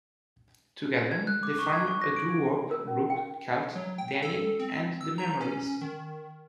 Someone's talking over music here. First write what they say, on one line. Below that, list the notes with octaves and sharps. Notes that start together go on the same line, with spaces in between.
Together they formed a doo-wop group called Danny and the Memories.
G#6
F#6
D6
C#6
G#6
C#6
A#6
D7
A#4
C#4
G5
F#3
G5
A4
C4
E6
A#5
C#4
D#3